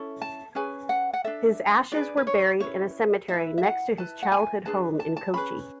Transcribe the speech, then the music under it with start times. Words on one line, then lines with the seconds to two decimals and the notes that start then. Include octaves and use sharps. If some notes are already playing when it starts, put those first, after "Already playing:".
His ashes were buried in a cemetery next to his childhood home in Kochi.
Already playing: C#4 E4 A4
0.22 A5
0.55 C#4 G#4 B4 G#5
0.89 F#5
1.13 F#5
1.24 D4 A4 E5
1.92 D4 G#4 B4 D5
2.17 B4
2.27 C#5
2.60 C#4 E4 B4 C#5
3.28 E4 B4 E5
3.58 E5
3.63 F#5
3.97 E4 B4 A5
4.23 F#5
4.32 G#5
4.65 D4 G#4 B4 A5
5.00 A5
5.17 A5
5.34 C#4 G#4 B4 B5